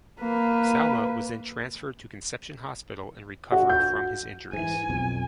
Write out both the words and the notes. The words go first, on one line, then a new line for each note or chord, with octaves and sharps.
Salameh was then transferred to Conception Hospital and recovered from his injuries.
A#3 B4
F#4
G6
G#2 E3 G#5
B1 F2